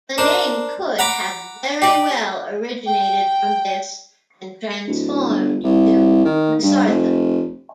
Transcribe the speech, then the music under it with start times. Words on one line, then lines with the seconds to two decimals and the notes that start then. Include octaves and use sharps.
The name could have very well originated from this and transformed to "Mesarthim".
0.18 D4 A#4 C5
0.99 F#5 A#5 B5 D6
1.82 G4 D5
2.85 G5
4.87 D1
5.28 G1
5.63 C2
6.25 D#3
6.62 G2
6.88 F1